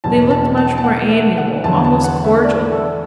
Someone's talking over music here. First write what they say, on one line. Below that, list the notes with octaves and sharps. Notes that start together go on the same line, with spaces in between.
They looked much more amiable, almost cordial.
E2 B2 F#3 A5
A5
A5
A5
F#5
E5
F#5
E2 D3 F#3 A5
A5
F#5
E5
D5
A4